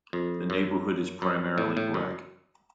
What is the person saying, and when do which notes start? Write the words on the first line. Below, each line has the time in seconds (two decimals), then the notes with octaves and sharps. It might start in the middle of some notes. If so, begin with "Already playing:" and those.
The neighborhood is primarily black.
0.13 F2
0.50 F#2
1.22 F#2
1.58 A2
1.77 A2
1.94 F#2